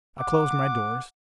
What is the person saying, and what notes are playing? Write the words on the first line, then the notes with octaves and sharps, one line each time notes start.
I closed my doors.
F#5 D6